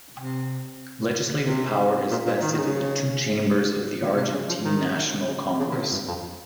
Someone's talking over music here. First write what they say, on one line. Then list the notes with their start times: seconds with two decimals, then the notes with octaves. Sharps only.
Legislative power is vested in the two chambers of the Argentine National Congress.
0.20 C3
1.46 C3
2.11 A#2
2.26 A#2
2.42 D#3
2.52 D#3
2.58 C#3
4.01 A#2
4.17 C3
4.32 C#3
4.49 F3
4.64 D#3
5.28 C#3
5.60 C#3
5.72 C3
5.76 A#2
5.92 G2
6.08 F2